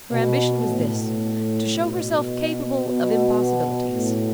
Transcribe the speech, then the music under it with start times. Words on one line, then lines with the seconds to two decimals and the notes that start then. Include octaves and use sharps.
Her ambition was this--to show herself capable of impossibilities.
0.12 B2
0.66 A2
1.74 B2
2.82 B2
3.90 A2